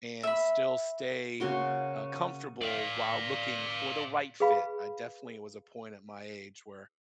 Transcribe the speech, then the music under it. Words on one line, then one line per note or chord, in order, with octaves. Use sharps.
and still stay, uh, comfortable while looking for the right fit. I definitely was a point at my age where
E5 B5
C#3 A#3 F#4 C6
D5 F5
G#4 B4 F5 B5